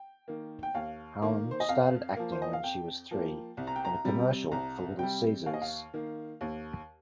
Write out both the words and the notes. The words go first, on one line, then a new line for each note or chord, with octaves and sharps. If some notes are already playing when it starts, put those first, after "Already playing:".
Haun started acting when she was three, in a commercial for Little Caesars.
Already playing: G5
D#3 A#3
G5
D#2 F5
D#3 A#3
C5
D#5
F2 F5
F3 A#3
C5
D#5
F5
F2 G5
F3 A#3
C2
A#5
G5
A#5
C3 G3
C2 A#5
C3 G3 G5
D#2 F5
D#5
F5
D#3 A#3
D#2